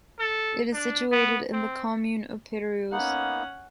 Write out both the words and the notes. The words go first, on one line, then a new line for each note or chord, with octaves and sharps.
It is situated in the commune of Pérouse.
A4
D4
B3
C4
A#3 B3 C#4 D#4 F#5